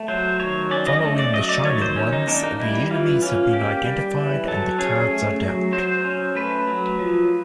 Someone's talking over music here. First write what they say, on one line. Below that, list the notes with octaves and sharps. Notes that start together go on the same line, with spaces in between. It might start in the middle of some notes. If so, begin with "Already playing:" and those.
Following "The Shining Ones", the enemies have been identified, and the cards are dealt.
Already playing: A3
F#3 C5
D#3 C#5
C#4 D5
D#5
A3
D5
F#3 D#5
D5
D#3 C#5
C5
C#4
D#4
A#3 D4
D#4
G3 E4
E3 F4
C#4 F4
A#3 G4
G3
E3
F#3 A4
C#4 G#4
A3
F#3
F#3 C5
C#4
A3 B4
F#3
F3